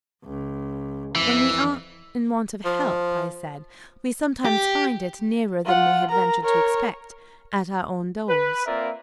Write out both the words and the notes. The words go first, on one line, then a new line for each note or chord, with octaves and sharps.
"When we are in want of help," I said, "we sometimes find it, nearer than we had ventured to expect--at our own doors."
C#2
F2 E3
F3
G4
F4 F#5
A#4 A#5
A#4 C#5
B4
A#3 C4 F4 A#4 D5 E5